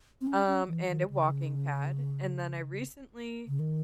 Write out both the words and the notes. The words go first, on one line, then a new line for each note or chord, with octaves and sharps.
um, and a walking pad. And then I recently
C4
C#4
C#4
E3
D#3
C#3
C#3
D#3